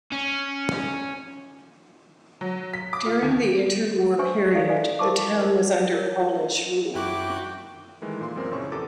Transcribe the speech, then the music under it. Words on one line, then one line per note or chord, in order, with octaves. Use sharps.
During the interwar period the town was under Polish rule.
C#4
F#3
B6
D6
F4
D#2
D4 B4 C5 E5 G#5 C#6
E4 A4 D5 E5 F5
E4 B4 D5 D#5 F5 G#5
E4 A#4 C5 A5 C#6 D6
A#4
A#4 C#5
F#2 E4 F#4 G5 D6 F#6
D#3 E3 G#3 A3
A#2 C6
F#2 A#2 C4 A#4 C5 C6
A#1 C#3 C4 E4 C#5 C#6
E2 G4 A4 D6 A6